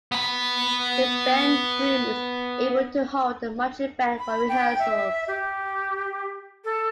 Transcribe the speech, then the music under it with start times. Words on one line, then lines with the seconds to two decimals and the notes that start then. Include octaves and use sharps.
The band room is able to hold the marching band for rehearsals.
0.12 B3 B5
4.19 B5
4.49 G5
4.79 E5
5.28 G4
6.64 A4